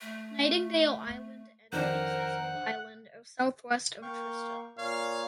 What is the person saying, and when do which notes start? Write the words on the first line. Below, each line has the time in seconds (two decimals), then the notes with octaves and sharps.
Nightingale Island and Inaccessible Island are southwest of Tristan.
0.01 A3
1.73 F2 D#3 D4 A#4 C5 F#5
4.02 A#3 F5 G5 C#6
4.78 A#2 C#5 F5